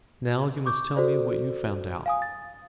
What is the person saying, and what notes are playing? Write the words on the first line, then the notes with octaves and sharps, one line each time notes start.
"Now you must tell me what you found out."
C#6 D6 G6
F#4 A4 C5 D5
F5 G#5 D#6
A6